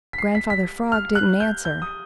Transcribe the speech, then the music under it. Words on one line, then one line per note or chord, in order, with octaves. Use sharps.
Grandfather Frog didn't answer.
B6
C7
B6
B6
F6
F#6
G6
G6
D#6